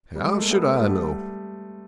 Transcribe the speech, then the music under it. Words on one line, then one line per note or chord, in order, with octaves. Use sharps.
'How should I know?
G3
G#3
A3
A#3
A3 B3
A3 B3
G3 A3